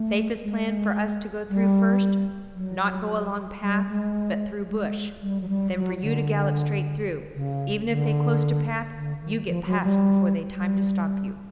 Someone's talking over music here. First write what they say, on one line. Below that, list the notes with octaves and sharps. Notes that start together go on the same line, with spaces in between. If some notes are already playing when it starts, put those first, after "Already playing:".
Safest plan for us to go through first, not go along paths, but through bush; then for you to gallop straight through; even if they close to path, you get past before they time to stop you.
Already playing: A3
G#3
G3
F#3
G3
G#3
G#3
G3
F#3
G3
F#3
D3
C#3
D3
D3
D#3
F3
F#3
G3
G3